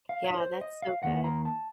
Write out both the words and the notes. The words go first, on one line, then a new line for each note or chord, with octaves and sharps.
Yeah, that's so good.
F5
C#5
C5
D#5
F5
D#2 D#3 A#3 F#5
A#5
A5